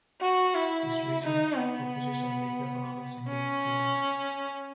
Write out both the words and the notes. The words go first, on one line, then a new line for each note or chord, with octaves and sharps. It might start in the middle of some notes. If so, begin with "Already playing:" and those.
His research focuses on microeconomics and game theory.
F#4
E4
D#4
B3
C#4